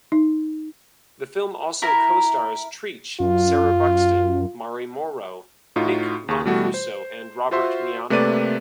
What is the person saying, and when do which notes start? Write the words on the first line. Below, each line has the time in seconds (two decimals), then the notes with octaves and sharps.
The film also co-stars Treach, Sarah Buxton, Mari Morrow, Nick Mancuso and Robert Miano.
0.12 D#4
1.82 E4 A#4 A#5
3.20 F#2 F4
5.76 A2 D#4 F4 F#4
6.28 D#2 G#4 C#6
6.45 B2 E3 G3 A3 F#4
6.74 C5
7.51 F4 F#4 C5 E5 C6
8.10 C3 A3 A#3 B4 D5 D#7